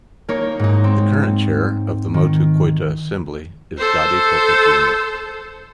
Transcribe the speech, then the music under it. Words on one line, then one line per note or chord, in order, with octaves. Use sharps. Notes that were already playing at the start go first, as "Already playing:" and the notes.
The current Chair of the Motu Koita Assembly is Dadi Toka Jr.
A#3 D#4 A#4 C#5
G#2 D#4
C4
D#3
A4 C5